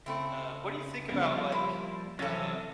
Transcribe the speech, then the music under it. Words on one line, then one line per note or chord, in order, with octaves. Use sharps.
Uh, what do you think about, like, uh,
C#3 A3 C4 E4
C#3 F3 G3 A#3 B3
E4 C6
C3 E3 F#3 C#4 A4 A6